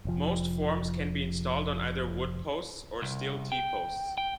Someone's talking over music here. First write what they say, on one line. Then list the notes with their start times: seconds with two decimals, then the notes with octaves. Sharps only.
Most forms can be installed on either wood posts or steel t-posts.
0.05 F1 F3
3.02 C2
3.52 G5
4.18 G5